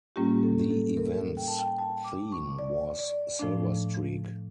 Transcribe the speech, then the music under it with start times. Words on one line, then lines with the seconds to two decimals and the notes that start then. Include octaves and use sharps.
The event's theme was "Silver Streak".
0.16 A2 G3 A#3 C#4 F4 G4
0.43 A4
0.70 A4
0.97 A#4
1.37 G5
1.48 A5
1.59 G5
1.78 A5
2.04 D6
2.32 C#6
2.59 D5
2.99 D5
3.39 A2 F3 A3 D4